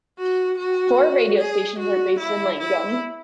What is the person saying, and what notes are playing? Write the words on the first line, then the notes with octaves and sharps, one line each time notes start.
Four radio stations are based in Langdon.
F#4
F#4
G#4
F#4
E4
E4